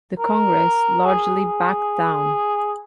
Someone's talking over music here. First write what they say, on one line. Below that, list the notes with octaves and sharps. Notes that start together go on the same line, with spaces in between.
The Congress largely backed down.
A#4
G#4